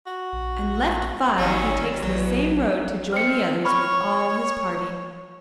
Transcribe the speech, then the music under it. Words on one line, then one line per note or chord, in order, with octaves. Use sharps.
And left file! he takes the same road to join the others with all his party.
F#4
A#1
G#1 D#3 F#3 G3 C#4
A#1 E2 F#3 B3
C4 F6 C#7
C#5 B5 C#6 F6